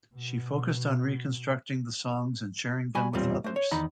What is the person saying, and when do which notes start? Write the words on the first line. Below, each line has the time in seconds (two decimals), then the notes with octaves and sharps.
She focused on reconstructing the songs and sharing them with others.
0.12 B2
2.95 G3 F#4 G#5 B5
3.13 B1 E2 A#2 G3 C4 F4
3.44 A3 C5
3.56 C#5
3.71 E2 D#3 D#4 A#5 B5